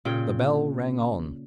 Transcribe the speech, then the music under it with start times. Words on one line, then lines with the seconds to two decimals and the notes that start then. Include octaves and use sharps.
The bell rang on.
0.05 A#2 C#3 G5